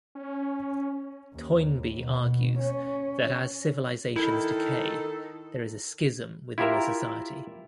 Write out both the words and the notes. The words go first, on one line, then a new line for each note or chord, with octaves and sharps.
Toynbee argues that as civilizations decay, there is a "schism" within the society.
C#4
D#2
B2
C#4
D#3 E4 A4
E4 F4 G4 A#4 E5